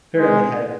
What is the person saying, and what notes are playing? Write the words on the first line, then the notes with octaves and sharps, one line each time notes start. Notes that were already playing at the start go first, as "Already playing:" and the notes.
apparently have
G#3